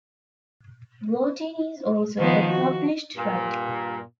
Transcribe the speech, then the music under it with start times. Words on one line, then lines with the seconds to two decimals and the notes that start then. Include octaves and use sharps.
Vlautin is also a published writer.
2.18 D#3 F3 B3
2.50 F#4
3.16 G2 A#2